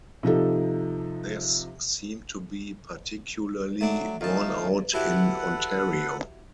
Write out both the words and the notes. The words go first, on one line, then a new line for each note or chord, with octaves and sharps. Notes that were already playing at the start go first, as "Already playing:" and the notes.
This seemed to be particularly born out in Ontario.
C3 F3 D#4 A4
F#3 A3 D4
F2 A3 D#4 F5 A5
F#3 E4 G4 A4 B4 F#5